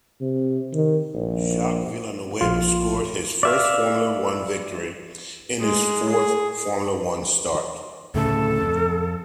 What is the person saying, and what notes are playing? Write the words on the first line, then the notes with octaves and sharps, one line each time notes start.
Jacques Villeneuve scored his first Formula One victory in his fourth Formula One start.
C3
D#3
A#1
A#1 F4
D5 E5 F5
G#3
G#4
D2 A2 C#3 A4
F2